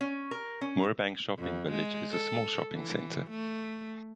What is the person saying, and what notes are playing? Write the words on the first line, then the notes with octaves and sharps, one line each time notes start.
Moorebank Shopping Village is a small shopping centre.
C#4
A#4
C#4
F2
G#3
A4
E3
A3